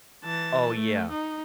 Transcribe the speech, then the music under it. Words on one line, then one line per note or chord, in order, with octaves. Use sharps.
Oh, yeah.
E3 A5
A3
D#4